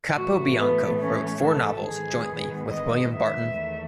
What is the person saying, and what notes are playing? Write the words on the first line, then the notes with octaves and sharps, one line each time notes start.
Capobianco wrote four novels jointly with William Barton.
A2 E3 A3 F#4
B3
C#4
A4
G#2 D#3 G#3 B3 G#4
D#5
E5
E2 D#3 A3